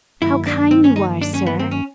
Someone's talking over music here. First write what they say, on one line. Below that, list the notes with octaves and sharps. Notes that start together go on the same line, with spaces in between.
"How kind you are, sir!"
G2 D#3 F#3 A#3 E4
D4
C4
C#4
D#4
D4
C#4
B3
C4
C#4